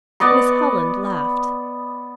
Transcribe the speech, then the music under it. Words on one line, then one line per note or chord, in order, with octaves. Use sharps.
Miss Holland laughed.
B3 D5 D#5 C#6